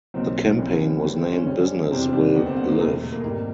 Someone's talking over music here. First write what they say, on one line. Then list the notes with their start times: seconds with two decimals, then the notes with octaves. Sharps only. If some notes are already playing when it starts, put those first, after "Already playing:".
The campaign was named Business will Live.
0.14 B1 A#2 F#3 C4
0.59 C2 C3 F3 C#4
0.80 B3
1.02 D2 D3 G3 B3
1.18 C4
1.33 C#4
1.46 F2 D3 G3 C#4
1.91 E2 C3 E3 G3 C4
2.02 D4
2.13 D4
2.35 D#2 D3 G3 B3
2.46 C4
2.57 B3
2.69 A#3
2.79 F1 E2 B2 A3
2.90 A3
3.02 A3
3.13 A#3
3.23 G#1 G#2 D#3 G3